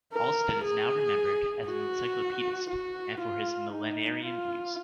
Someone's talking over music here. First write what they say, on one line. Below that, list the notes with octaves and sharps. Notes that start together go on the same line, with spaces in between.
Alsted is now remembered as an encyclopedist, and for his millennarian views.
A#4
G#4
F#4
F#4
F4
D#4
F4